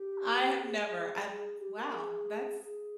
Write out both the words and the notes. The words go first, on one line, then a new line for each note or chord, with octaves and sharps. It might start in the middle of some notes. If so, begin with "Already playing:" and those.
I have never I've wow, that's
Already playing: G4
G#4
G#4
G4
A#4
G#4
G#4